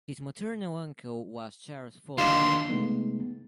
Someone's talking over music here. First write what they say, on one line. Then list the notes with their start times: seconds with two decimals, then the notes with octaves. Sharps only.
His maternal uncle was Charles Follen.
2.18 D#2 D3 D4 D#4 F4 C6
2.68 C3 G#3 A3 B3 D#4